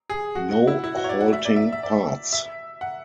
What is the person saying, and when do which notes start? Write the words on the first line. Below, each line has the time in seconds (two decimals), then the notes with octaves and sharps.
No halting parts.
0.10 G#4
0.35 F#4
0.51 F#4
0.67 E4
0.84 E4
0.96 F#4
1.04 C#5
1.09 D5
1.21 F#5
1.33 E5
1.45 D5
1.56 E5
1.72 E5
1.83 D5
2.33 E5
2.81 F#5